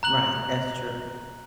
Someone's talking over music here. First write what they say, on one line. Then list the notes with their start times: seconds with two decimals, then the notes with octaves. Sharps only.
Right. That's true.
0.03 A#5 F#6 F#7